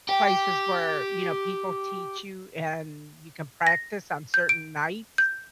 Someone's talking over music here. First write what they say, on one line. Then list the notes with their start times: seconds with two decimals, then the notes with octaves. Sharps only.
places where, you know, people teach you and you can practice on certain nights,
0.09 G4 G5
3.67 A#6
4.34 G6
4.49 D7
5.18 G6